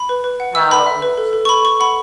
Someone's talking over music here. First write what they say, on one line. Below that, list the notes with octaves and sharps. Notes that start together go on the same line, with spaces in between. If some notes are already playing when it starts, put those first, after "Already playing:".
how to
Already playing: B5
B4
B4
F#5
E5 E6
B4 B5
E5
B4
A4
A4
C#6
A4 B5
A4 C#6
F#5 B5